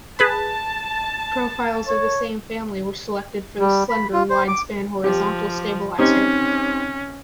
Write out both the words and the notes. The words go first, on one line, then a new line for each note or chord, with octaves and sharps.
Profiles of the same family were selected for the slender, wide-span horizontal stabiliser.
G#4 B4 A5 B5
C#5
G3
B5
F4
C5
D6
F3 G4
C4 C#4 D#4 G4